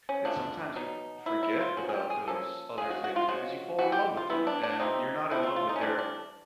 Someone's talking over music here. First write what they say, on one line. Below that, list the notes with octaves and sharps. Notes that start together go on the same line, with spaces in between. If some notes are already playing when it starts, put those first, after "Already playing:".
it's sometimes you forget about those other things because you fall in love with them, and you're not in love with their
C#4
D3 F3 A3 D4
B2 F#3 B3 D#4
B2 F#3 B3 E4
E4
F4
F3 A#3 C#4 F#4
G#4
G4
G#4
F3 A#3 C#4 A4
C#3 F3 G#3 G#4
F#4
F#4
F4
C#3 F3 G#3 F#4
E3 G3 B3 F#4
G4
F4
E3 G3 B3 E4
D4
D4
C3 F3 A3 C4 D#4
C3 F3 A3 C4 E4
F4
F4
D#4
C#4
E3 G3 C4 D4
D4